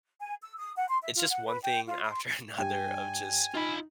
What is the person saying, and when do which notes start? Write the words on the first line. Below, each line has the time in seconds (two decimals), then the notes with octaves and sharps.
it's just one thing after another of just
0.20 G#5
0.42 E6
0.58 D#6
0.76 F#5
0.89 C6
1.01 E5
1.15 F4
1.29 F#5
1.45 B4
1.63 G5
1.87 F4
2.04 C6
2.58 G2 G5 G#5
3.55 D#4 F4 B5